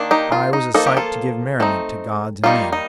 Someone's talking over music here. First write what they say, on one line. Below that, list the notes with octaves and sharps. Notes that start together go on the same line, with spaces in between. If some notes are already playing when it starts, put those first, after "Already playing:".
I was a sight to give merriment to gods and men.
Already playing: D#3 A#3 D4
D#4 G4
F4
D#4
F3 A#3 D#4 A4
G4
F4 A4
A3 C4 D#4
D#3 G3 A#3 D#4 F4
D#4